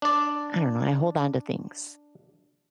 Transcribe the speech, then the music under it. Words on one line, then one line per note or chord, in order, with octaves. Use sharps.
I don't know. I hold on to things.
D4 D5